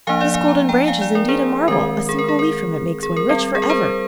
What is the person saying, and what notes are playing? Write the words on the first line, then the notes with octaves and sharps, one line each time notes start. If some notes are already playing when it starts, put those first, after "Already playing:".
This Golden Branch is indeed a marvel, a single leaf from it makes one rich for ever.
F3 A#3 D4 F5 G#5
D5 F5
F5 G#5
A#5
G5 A#5
F5 G#5
D5 F5
A#4 D5
G#4 C5
D#3 G#3 C4 A#4
G#4
A#4
G#4
A#4
G#4
A#4
G3 C4
G#4
A#4
G#4 C5